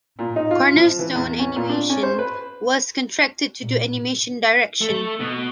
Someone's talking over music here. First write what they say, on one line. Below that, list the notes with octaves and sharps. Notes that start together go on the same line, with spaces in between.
Cornerstone Animation was contracted to do animation direction.
A#2
D#4
F4
F3
E3
E2
C#4
A#2
D4
C#4
C5
B4
A#2
A3
B2